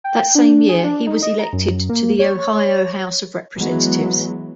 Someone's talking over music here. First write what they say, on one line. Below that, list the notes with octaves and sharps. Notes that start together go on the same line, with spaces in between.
That same year, he was elected to the Ohio House of Representatives.
G5
D4
G#4
D4
D#4
D#5
A#5
F#2
A#3
C#5
C#5
E3 F#3 G#3 B3